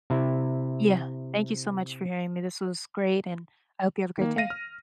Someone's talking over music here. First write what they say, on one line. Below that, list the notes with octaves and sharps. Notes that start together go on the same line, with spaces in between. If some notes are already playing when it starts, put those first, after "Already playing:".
Yeah. Thank you so much for hearing me. This was great, and I hope you have a great day.
C3 E4
D#3 A#3
F5 A#6 D#7
F6